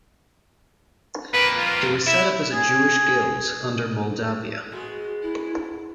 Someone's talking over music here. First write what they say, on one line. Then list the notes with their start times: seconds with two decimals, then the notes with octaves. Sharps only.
It was set up as a Jewish Guild under Moldavia.
1.34 F2 A#3 B4
1.58 F4
2.07 E4 E5
2.53 G#4
4.72 G#3 B3 F#4
5.22 E4